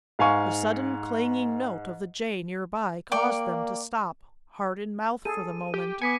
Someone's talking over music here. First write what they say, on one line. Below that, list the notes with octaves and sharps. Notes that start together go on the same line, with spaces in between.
The sudden clanging note of the jay near by caused them to stop, heart in mouth for the moment.
G#2 F5 G#5 C#6
A#3 D5 G5 C#6
G#4 A4 D#7
G4
B3 G#5 D6 B6 C#7